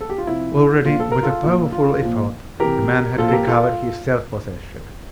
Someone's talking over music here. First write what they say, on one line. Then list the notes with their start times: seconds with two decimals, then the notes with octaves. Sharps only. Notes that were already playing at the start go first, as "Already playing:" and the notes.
Already, with a powerful effort, the man had recovered his self-possession.
0.01 A4
0.09 G4
0.18 F4
0.27 C3 F3 E4
0.85 A#2 F3 F4
1.00 A4
1.12 A#4
1.23 F4 A4
1.44 A#2 F3
1.72 F4
2.01 A#2 F3
2.60 C3 E3 G4 A#4
3.18 A#2 F3 F4 A4
3.28 A4
3.33 G4 A#4
3.47 F4 A4